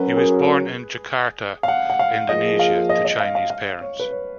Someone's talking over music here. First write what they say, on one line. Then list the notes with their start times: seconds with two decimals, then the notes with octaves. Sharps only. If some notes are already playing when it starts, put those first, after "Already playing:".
He was born in Jakarta, Indonesia, to Chinese parents.
Already playing: F#3 C#4 F#4 A#4 B4
0.17 G#4
1.63 F5
1.68 F#5
1.90 F#5
1.99 F5
2.29 F3 A#3 F4 G#4 D#5
2.59 F5
2.89 D#5
3.05 D#5
3.20 F5
3.35 F5
3.50 F5
3.81 C#5
4.00 B4
4.11 C#5